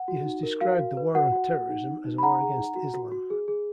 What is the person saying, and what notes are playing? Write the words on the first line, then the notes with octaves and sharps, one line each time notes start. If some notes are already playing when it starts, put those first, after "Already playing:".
He has described the War on Terrorism as a war against Islam.
Already playing: F#5
F#4
D#4
A#4
F#4 F5
F#4
B4
F#4 F#5
F#4
F#4
D#4
D#4
D#4
B5
D#4 F#5 A#5
G#4
D#4
F#4
F#4
F#4
G#4
G#4